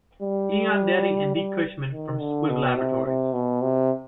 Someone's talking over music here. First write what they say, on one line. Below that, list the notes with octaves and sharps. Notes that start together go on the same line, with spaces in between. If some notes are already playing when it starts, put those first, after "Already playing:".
E. Ondetti and D. Cushman from Squibb laboratories.
G3
G3
D#3
D3
B2
C3
C3
B2
C3